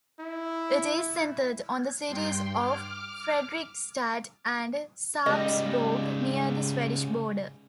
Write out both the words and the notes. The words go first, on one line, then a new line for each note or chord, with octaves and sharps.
It is centered on the cities of Fredrikstad and Sarpsborg near the Swedish border.
E4
G2 G5 C6
D6 F6
C#3 G3 G#3 D#4 G4 D#5